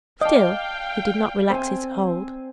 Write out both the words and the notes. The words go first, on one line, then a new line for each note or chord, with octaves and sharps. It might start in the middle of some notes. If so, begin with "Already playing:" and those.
Still he did not relax his hold.
D5 D#5 F5 G5 A5
C4 G#5